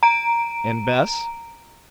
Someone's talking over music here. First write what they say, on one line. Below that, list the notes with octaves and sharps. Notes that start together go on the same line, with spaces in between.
And Bess?
A#5 D7